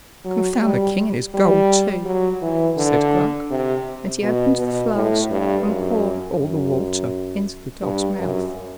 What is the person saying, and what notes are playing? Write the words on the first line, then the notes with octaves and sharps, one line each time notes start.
"Confound the king and his gold too," said Gluck, and he opened the flask and poured all the water into the dog's mouth.
F#3
G3
G3
F#3
E3
D3
C3
B2
B2
A2
G2
F#2
F#2
G2
F#2